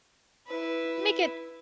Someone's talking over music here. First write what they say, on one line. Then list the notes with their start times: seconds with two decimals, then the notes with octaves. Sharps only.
make it
0.47 E4 B4